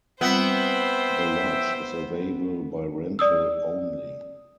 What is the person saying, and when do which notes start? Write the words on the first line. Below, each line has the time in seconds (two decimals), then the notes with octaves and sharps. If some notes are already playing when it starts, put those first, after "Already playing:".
The Lodge is available by rental only.
0.21 G3 B3 C4 F4 C5 E5 G5
3.19 D5 D#6 E6